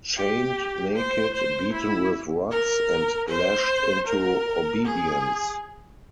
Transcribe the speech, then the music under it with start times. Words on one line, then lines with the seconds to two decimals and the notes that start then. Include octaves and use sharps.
Chained, naked, beaten with rods, and lashed into obedience.
0.17 G4
0.95 C5
1.34 C5
1.72 E4
2.51 A#4
3.28 C5
4.07 A#4
4.85 G#4